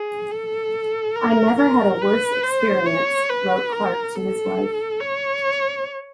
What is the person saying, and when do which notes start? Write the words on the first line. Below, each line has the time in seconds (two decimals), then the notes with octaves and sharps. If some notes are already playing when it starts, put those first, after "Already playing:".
"I never had a worse experience" wrote Clark to his wife.
Already playing: G#4
0.31 A4
1.16 A#4
1.58 A#4
2.02 B4
2.44 C5
2.86 C#5
3.30 B4
3.72 A#4
4.15 A4
5.00 C#5